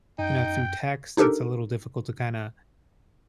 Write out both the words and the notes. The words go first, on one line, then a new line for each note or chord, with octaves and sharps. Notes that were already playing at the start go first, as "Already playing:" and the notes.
you know, through text, it's a little difficult to kinda,
F#2 D#4 G5
D4 D#4 G4 A4 A#4